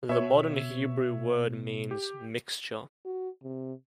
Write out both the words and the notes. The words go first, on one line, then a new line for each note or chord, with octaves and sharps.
The Modern Hebrew word means "mixture".
B2 C#5 E5
G4
F#4
C3